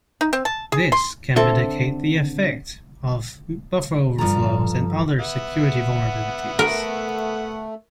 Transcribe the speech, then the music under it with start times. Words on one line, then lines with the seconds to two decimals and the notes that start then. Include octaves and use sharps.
This can mitigate the effects of buffer overflows and other security vulnerabilities.
0.21 D#4
0.33 C4
0.45 A5
0.72 G#4
0.92 C6
1.36 D3 C4 A4 E5
4.18 G2 F3 A4 A#5
5.20 B3 E5 F#5
6.59 A3 A#4